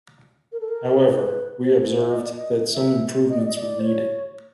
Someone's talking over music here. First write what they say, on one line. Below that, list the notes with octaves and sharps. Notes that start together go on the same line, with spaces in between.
However, we observed that some improvements were needed.
A#4
A4
A#4
B4
C5
E5
D#5
D5
D#5
E5
D#5
D5
D#5
D5
C5
C#5